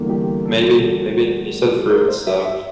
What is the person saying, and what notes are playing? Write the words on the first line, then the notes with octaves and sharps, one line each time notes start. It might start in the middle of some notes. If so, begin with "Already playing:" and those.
maybe maybe. You said fruits, so,
Already playing: E2 D3 G3 A#3
G4
A4
A#4
C5
E5
E5